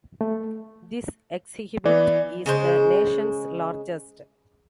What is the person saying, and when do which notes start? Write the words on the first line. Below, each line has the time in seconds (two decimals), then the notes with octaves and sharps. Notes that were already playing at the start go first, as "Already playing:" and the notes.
This exhibit is the nation's largest.
0.21 A3
1.85 E3 B3 D5
2.46 C#3 G#3 C5